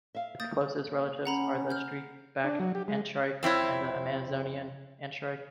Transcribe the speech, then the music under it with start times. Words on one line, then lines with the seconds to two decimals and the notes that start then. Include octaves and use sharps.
Its closest relatives are the streak-backed antshrike and the Amazonian antshrike.
0.15 E5 F5
0.40 A#3 D#6 G6 A6
1.25 C#4 F#5 A#5 B5
1.70 F6 G6
2.44 D4
2.60 F#3
2.75 G4
2.88 G#3
3.43 F2 C4 E4 C#5